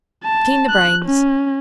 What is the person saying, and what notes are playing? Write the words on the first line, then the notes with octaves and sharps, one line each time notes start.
Clean the brains.
A5
F#6
C#4